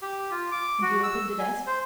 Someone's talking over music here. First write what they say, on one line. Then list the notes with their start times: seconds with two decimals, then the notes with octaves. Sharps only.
"And you opened the desk?"
0.02 G4
0.31 F4
0.52 D6
0.82 F#4
1.03 E6
1.39 G#5
1.67 C5